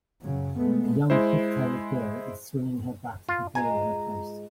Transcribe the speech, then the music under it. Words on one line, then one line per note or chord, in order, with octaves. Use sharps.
A young pigtailed girl, is swinging her bat at a ball on a post.
F#2 C#3 F#3
B2 G#3 A3 B3
G#3 E4 C5
F4
G#2 G#3 F4 G#5 A#5